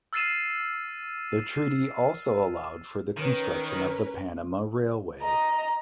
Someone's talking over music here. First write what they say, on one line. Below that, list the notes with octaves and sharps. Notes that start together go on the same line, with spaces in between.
The treaty also allowed for the construction of the Panama Railway.
E6 F6 A6 C7 D#7 E7
D#3 C#4 A#4 B4
D#5 A#5